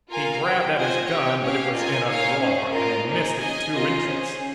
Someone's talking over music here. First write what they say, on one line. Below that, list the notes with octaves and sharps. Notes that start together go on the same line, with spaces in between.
He grabbed at his gun, but it was in a drawer, and he missed it two inches.
F4 A#4 F5 G#5
G4 C5 G5
F4 C5 D#5 G#5
G4 C#5 G5
C#4 G4 C#5 F5
F4 A#4 D#5 G#5
D#4 A#4 C#5 F5 G#5
C#4 G#4 C5
F4 A#4 D#5
A#3 D#4 G#4 D#5
C#4 G#4 D#5 G#5
C#4 F4 A#4 D#5
C#4 G#4 C5